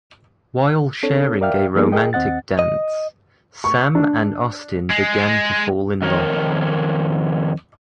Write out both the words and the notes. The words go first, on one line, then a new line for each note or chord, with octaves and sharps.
While sharing a romantic dance, Sam and Austin begin to fall in love.
C4 D4 A4 C#5
A#4 D5 E5 F5 G5 F6
F3 A#3 B3 D#4 G#4 A#4
G#4 A#4 D#5 G5
D#2 C4 D#5 F#5 A6
D#5
C#6
D4
G#3
F2 D#3 A#4 C#5